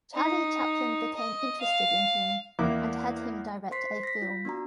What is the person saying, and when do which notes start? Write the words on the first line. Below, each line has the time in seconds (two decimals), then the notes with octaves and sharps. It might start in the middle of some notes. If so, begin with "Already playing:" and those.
Charlie Chaplin became interested in him, and had him direct a film.
0.14 D#4
1.15 D#5
1.61 F5
2.59 E2 A#3 E4 D6
3.71 C5 C6 B6 C7
4.03 A#6 B6
4.22 F4
4.45 B3 D4 F#4 A#5